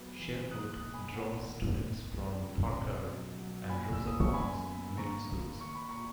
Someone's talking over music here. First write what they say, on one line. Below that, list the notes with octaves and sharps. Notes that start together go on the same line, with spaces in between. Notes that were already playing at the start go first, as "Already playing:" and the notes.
Sherwood draws students from Farquhar and Rosa Parks Middle Schools.
Already playing: F#3 B3
E3
A#3 D#6 F#6
D#6 F#6
B2
G#5 B5
B3 F#5
D#3
B3
G#3
C#2
B2
F#3
F#3
A#2 G#5 B5
E6
A#3 D#6
C#6
F#2 G#5 B5
B3
D#2 A#5 C#6
D#2
A#3 C#6
B5
A#2 A#5 C#6